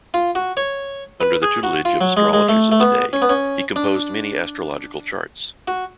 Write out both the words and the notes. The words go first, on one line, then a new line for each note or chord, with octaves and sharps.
Under the tutelage of astrologers of the day, he composed many astrological charts.
F4
F#4
C#5
B4
G#4
F#4
F4
F#3
G#3
G#3
A3
A3
B3
C#4
B3
C#4
D4
F#4